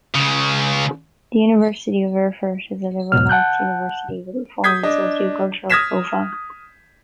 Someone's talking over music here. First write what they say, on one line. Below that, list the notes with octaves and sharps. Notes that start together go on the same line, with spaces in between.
The University of Erfurt is a liberal arts university with reform and socio-cultural profile.
C#2 C#3
E2 G#2 B2 F6
F#5 A5 F#6 G6
D#6 G6 G#6 B6
D4 D#5
D#6 F6 G#6 A#6 B6 E7